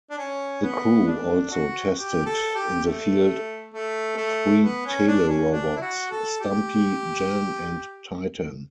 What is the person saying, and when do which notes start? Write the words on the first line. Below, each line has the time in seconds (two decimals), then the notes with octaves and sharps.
The crew also tested in the field three telerobots, Stumpy, Jan and Titan.
0.10 D4
0.18 C#4
0.62 B3
1.07 D4
1.51 F#4
1.96 G4
2.26 A4
2.55 G4
2.85 A3
3.74 A3
4.17 A3
4.63 B3
4.85 C#4
5.08 D4
5.29 C#4
5.51 D4
5.76 E4
5.81 F#4
6.10 A4
6.40 G4